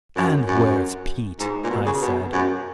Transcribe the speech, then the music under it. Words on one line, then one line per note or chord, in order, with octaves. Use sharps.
"And where's Pete?" I said.
F#2
F#2
G#2
A#2
B2
C#3
B2
F#2